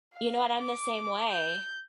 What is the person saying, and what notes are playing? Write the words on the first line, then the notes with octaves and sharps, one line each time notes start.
You know what? I'm the same way.
F5
D6
G6